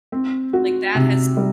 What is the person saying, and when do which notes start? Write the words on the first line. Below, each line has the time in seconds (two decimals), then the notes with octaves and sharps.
Like, that has
0.12 C4
0.53 F#4
0.95 C3
1.37 G3